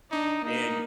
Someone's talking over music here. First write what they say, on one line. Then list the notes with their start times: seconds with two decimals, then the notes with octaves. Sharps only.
And y
0.11 D4 D#4
0.45 A#3 D#4